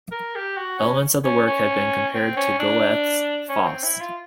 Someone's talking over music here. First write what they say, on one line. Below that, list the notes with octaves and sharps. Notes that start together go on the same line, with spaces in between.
Elements of the work have been compared to Goethe's "Faust".
A#4
G4
F#4
C#4
C#4
C#4
C4
C#4
D4
C#4
C4
E4
F4